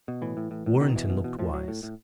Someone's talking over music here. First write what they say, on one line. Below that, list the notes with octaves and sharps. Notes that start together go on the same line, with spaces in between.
Warrenton looked wise.
B2
A2 E3
A2
A2
A2
B2 D#3
B2 E3
B2
B2
A2 F3
A2 F#3
A2
A2